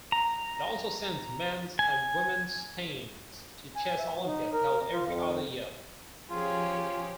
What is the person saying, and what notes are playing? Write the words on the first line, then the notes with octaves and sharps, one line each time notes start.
It also sends men's and women's teams to Chess Olympiads held every other year.
A#5
G#5
G#5
E5
F#3
D#4
A#4
F4
F2
F3 C#4 F4 G4 G#4